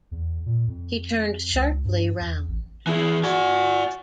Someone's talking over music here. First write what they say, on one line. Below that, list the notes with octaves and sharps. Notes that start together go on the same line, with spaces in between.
He turned sharply round.
E2
A#2
F2
C#2
G2
E2
A1
E3 E4 G#4
F#4 D5 G#5